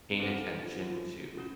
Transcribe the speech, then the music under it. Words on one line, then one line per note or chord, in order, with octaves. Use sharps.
paying attention to
C3
C#3 C4 D#4 A4 C5 F#5
C#3
D#3
F3
F3
C#4 F#4